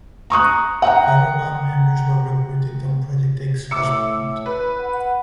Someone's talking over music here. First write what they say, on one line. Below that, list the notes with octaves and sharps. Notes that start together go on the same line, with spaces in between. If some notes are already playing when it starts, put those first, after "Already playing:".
Fellow band members were recruited and Project X was formed.
A#5 C#6 D#6 F#6
F#5 G5 A#5
A2 E5 D6 E6 C#7
B4
F#5